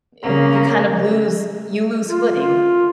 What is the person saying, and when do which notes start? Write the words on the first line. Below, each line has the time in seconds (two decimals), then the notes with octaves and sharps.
y you kind of lose you lose footing.
0.23 C#3 A#3
2.07 F4
2.41 F4